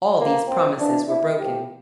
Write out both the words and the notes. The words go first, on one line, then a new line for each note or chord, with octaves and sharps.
All these promises were broken.
G2 D3 F3 A#3
C4
F2 E3 D4
E4
A2 F3 G4